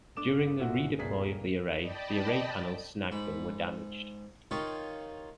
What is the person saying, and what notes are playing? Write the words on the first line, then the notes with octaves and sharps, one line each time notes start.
During the re-deploy of the array, the array panels snagged and were damaged.
G1 C#3 A3 D4 D6 E7
A#2 E4 F#4
D#1 C2 G2 A#3 G#4 D5 B6
D5 D#5 G5 A5 B5
G#2 B5
D#3 D#4 F4 G4 C#5